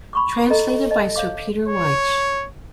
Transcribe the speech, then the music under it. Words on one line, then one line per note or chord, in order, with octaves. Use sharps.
Translated by Sir Peter Wyche.
B5 C#6 D6
A4 D#5 A#5
D#5 A5
C#5 F5 D6
C#5